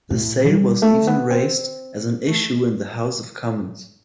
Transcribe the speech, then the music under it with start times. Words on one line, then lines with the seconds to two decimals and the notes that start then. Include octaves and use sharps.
The sale was even raised as an issue in the House of Commons.
0.10 A2
0.47 G3
0.82 A3
1.07 B3
1.30 C4
2.28 A3